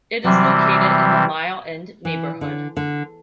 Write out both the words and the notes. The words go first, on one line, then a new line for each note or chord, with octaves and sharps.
It is located in the Mile End neighbourhood.
C3 E3 F#3 G3 C4
E3
D3
D3